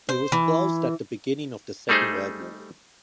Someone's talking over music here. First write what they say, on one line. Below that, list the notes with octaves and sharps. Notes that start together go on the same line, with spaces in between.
It was closed at the beginning of the Second World War.
C5
E3
G3 A3 D#4 G#4 C5